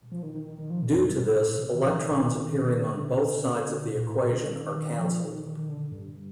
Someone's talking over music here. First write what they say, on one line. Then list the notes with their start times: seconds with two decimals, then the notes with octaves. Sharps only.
Due to this, electrons appearing on both sides of the equation are canceled.
0.12 F3
0.23 D#3
0.35 D#3
0.47 D#3
0.58 D#3
0.70 F3
0.81 D#3
0.93 F2
1.04 G2
1.28 A2
1.51 A#2
1.58 D3
1.62 C3
1.74 D#3
1.85 F3
1.97 D#3
2.90 D3
3.95 A#2
4.06 A2
4.19 C3
4.30 D3
4.53 D#3
4.76 D#3
4.99 F3
5.23 D#3
5.35 D#3
5.46 D#3
5.57 D#3
5.69 D3
5.92 G2